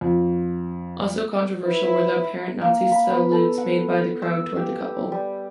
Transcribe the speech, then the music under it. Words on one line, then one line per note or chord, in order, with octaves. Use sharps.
Also controversial were the apparent Nazi salutes made by the crowd toward the couple.
F2
E4 B4
A#3
B5
B3
A4
F#5
E6
G4
G3